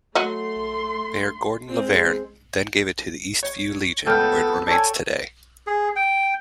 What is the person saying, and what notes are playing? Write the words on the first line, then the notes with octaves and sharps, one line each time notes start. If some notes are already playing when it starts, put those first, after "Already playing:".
Mayor Gordon Lavergne then gave it to the Eastview Legion where it remains today.
F#3 A3 F#4 D#5 C6
G#3 C4
C#5
C#2 A3 B3 A4 G5 F6
A4 C#5 D5 G#5
G#4
G5